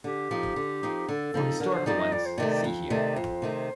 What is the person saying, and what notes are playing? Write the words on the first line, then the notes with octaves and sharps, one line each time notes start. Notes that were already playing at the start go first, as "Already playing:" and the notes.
For historical ones, see here.
D3 G4
F3 C4 D#4
D3
F3 C4 D#4
D3 A4
F3 C4 D#4
D3 A#4
C5
F3 C4 D#4 D5
D#5
F2 D5
C5
C3 D#3 A3 D5
D5
F2
C3 D#3 A3 D5
F2 C5
C3 D#3 A3